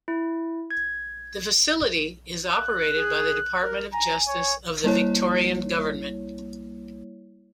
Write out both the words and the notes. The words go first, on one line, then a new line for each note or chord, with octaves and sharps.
The facility is operated by the Department of Justice, of the Victorian Government.
E4
G#6
F#6
G#4
A#4
G#5 A#5
C#5
G3 A#3 E4 C#5